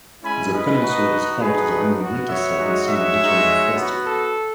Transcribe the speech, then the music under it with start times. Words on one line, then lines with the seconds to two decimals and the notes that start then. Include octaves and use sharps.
The peninsula is home to the annual Winterset in Summer Literary Festival.
0.23 G#3 C#4 E4 G#5 B5
0.53 B4 D#5
0.82 B3 D#4 F#4
1.40 A3 D#4 F#4 G#4 B4
1.99 B3 F#4
2.29 C#5 E5
2.58 G#3 D#4 F#4
2.87 C#5 E5
3.16 G#3 D#4 F#4
3.75 B3 F#4
4.04 A4